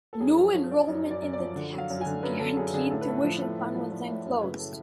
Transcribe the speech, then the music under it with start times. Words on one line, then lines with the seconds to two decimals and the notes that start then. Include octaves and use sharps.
New enrollment in the Texas Guaranteed Tuition Plan was then closed.
0.13 A4
0.20 F#2 G#4
0.37 F3 A4
0.54 F3 C#5
0.71 F3 D5
0.88 F#2 D5
1.04 F#2
1.11 D5
1.22 F#2
1.33 D5
1.39 F3
1.56 D3
1.72 F#3
1.78 F5
1.90 F#2
2.01 D3 G#5
2.23 F#2 B4
2.40 D3 A4
2.57 F#2 G#4
2.73 D3 G#4
2.90 A2 A4
3.01 B4
3.07 A2 A4
3.24 F3
3.41 A2 A4
3.58 A2
3.75 F3
3.91 F3
4.09 A2
4.25 F#2
4.42 C#3 B4
4.59 A4